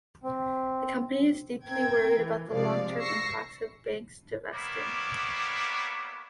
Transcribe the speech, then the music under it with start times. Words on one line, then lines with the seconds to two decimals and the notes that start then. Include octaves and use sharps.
The company is deeply worried about the long-term impacts of banks divesting.
0.23 C4
1.66 C4 A#4 G5 G#6
2.19 E3
2.51 C3 F3 G#3 D5 F5
3.00 C#6 E6 A#6 C7 C#7
4.53 G3 A#3 B3 E4 C#5 D6